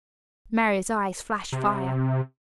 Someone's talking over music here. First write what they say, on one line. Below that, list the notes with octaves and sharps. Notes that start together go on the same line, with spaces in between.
Mary's eyes flashed fire.
C3